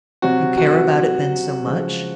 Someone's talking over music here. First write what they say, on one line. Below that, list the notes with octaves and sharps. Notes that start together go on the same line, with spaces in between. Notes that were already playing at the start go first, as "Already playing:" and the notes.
"You care about it, then, so much?"
C3 F#3 F#4
F#4
C#3 F3 G#3